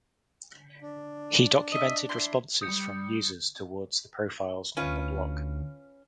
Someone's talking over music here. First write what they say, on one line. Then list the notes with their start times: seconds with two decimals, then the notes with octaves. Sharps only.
He documented responses from users towards the profiles on the blog.
0.82 D4
1.72 D#5 E5
2.09 E4 C6
2.61 G3 D#6 G6 C#7
4.77 D2 C#4 F4 B4